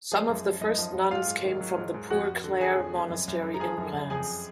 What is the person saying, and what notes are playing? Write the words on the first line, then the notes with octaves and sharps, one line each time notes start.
Some of the first nuns came from the Poor Clare monastery in Reims.
F3 G#4
F#2
F3
F#2 D#4 D#5
F3
F#2
G#2 F4 F5
G#2
D#3
F#3
G#2
G#2
F2 F#4 F#5
F2
D3
F3 G#4 G#5
F2
F2
F#2
F#2
D3
A#5
F3 G#4 G#5
F#2
F#2
F2 G#4 G#5